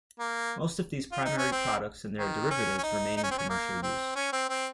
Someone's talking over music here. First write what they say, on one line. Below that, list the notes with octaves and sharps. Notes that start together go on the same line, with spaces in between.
Most of these primary products and their derivatives remain in commercial use.
A#3
F4
D#4
C#4
C4
D#3
C#4
C#4
D#4
D#4
C#4
C4
C#4
A#3
C4
C#4
C4
C4